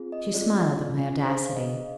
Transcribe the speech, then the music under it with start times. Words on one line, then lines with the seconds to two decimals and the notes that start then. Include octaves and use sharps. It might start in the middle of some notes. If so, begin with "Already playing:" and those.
She smiled at my audacity.
Already playing: C4 F4 G#4
0.12 D#5
0.34 C4 F4 G#4 D5
1.25 D4 G#4 C5
1.44 F5
1.56 D#5